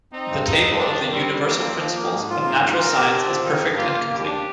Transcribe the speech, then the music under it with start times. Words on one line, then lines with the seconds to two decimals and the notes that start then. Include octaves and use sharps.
The table of the Universal Principles of Natural Science is perfect and complete.
0.12 C4 D#4
0.29 G2
0.46 C4 D#4
0.62 C4
0.79 G2 D4
0.96 D#3
1.12 G3 C4
1.29 G3
1.45 A#3 C4
1.62 F3
1.79 F3
1.95 A#3
2.12 G#2
2.29 F4
2.45 G#2 A#3
2.61 F4
2.78 C4 A#4
2.95 G4
3.11 C4 D4
3.28 F3
3.44 D#3 D#4
3.61 G2
3.77 A#3 F4
3.94 A#3
4.10 D#2 G4
4.27 D4